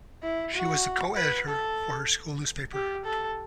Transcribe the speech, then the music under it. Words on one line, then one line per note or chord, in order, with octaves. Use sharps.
She was the co-editor for her school newspaper.
E4
F#4
B4
A4
G4
A4